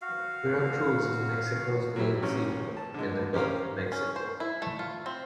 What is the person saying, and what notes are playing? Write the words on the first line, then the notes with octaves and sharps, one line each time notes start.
Veracruz is Mexico's main seaport in the Gulf of Mexico.
F#4 F5
F#3 B3 E4 G4
A1 C3 C#4 A#4
A5
D3 G#3
C#4 G4 A#4 C5 F5
C#4
C5
E4
A3
F4
C4